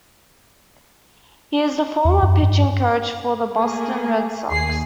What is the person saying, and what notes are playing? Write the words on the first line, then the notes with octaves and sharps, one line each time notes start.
He is the former pitching coach for the Boston Red Sox.
E2
F#2
G2
A3 A#3 G#4
D#2 G#4 C7